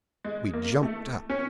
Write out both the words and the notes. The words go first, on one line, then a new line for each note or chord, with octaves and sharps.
We jumped up.
G#3
A#3
A3
C#4